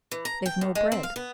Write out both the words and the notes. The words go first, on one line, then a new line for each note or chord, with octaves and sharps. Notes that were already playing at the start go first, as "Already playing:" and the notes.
They've no bread.
E3
A#5
G5
F#2
G#3
C4
F5
B3